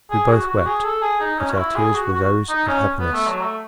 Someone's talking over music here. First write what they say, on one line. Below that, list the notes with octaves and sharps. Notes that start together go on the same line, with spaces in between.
We both wept, but our tears were those of happiness.
G#4
F#4
F#4
G#4
A4
G#4
D#4
C#4
F#4
E4
G#4
F#4
F#4
D#4
C#4
B3
A3
F#3
A3